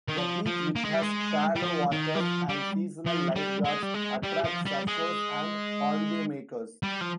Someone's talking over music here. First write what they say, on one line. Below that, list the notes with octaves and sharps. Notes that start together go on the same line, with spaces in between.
The beach, which has shallow waters and seasonal lifeguards, attracts surfers and holidaymakers.
D#3
F3
F3
A#3
G#3
G3
G#3
G3
F3
D#3
G3
F3
G3
F3
G3
G#3
G3
G#3
G3
F3
G3
G#3
G3
F3